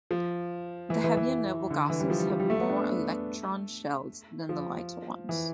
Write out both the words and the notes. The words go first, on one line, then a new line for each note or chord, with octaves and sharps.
The heavier noble gases have more electron shells than the lighter ones.
F3
E3
E3
E3
D3
E3
G3
F3
G3
F3
G3
A3
B3
D4
B3
A3
F3
E3